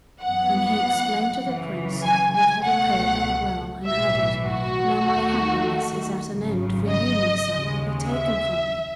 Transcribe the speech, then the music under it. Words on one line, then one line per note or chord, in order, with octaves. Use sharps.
Then he explained to the Prince what had occurred at the well, and added, "Now my happiness is at an end, for you, my son, will be taken from me."
F#2 E3 B3 F#5
F#2 C#3 E3
G#5
G#5
C#2 B2 A3 F#5
B1 A2 E3 E5
F#4
D#2 D#3 A3
G#1 F#2 C#3 F#3
D#5
D#2 C#3 G#3
E5